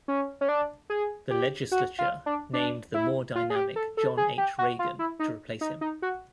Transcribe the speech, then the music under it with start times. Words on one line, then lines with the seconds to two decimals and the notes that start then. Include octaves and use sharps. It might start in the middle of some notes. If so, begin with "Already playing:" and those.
The legislature named the more dynamic John H. Reagan to replace him.
0.08 C#4
0.41 C#4
0.49 D4
0.90 G#4
1.31 G4
1.72 F#4
1.99 F4
2.26 D4
2.53 D4
2.94 E4
3.35 F4
3.50 G#4
3.56 G4
3.76 A4
3.97 A4
4.17 G#4
4.38 G4
4.59 F#4
4.79 F4
4.99 E4
5.19 D#4
5.61 D#4
5.81 D#4
6.02 F#4